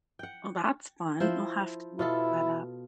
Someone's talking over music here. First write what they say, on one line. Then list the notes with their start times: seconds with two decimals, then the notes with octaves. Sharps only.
Oh, that's fun, I'll have to look that up.
0.19 F#5 G5
1.20 F3 E4 C5
1.99 B2 E4 F4 A4